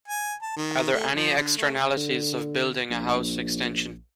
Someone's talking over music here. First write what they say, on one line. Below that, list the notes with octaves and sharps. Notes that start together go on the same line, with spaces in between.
Are there any externalities of building a house extension?
G#5
A5
D#3
A3
F3
D3
A3
D3
A#1